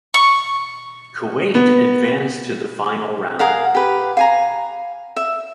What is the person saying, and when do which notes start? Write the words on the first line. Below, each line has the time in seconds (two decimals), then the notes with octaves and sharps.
Kuwait advanced to the Final Round.
0.14 C#6
1.55 B3
3.39 G#4 A#4 F5 F#5
3.75 G4 B4
4.17 F5 G#5 A#5
5.16 E5